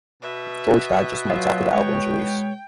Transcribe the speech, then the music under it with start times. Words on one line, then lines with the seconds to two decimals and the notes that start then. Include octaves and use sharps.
George died just months after the album's release.
0.22 B2 B4 E5
1.30 F#3 F4
1.73 G#3 C#5 G5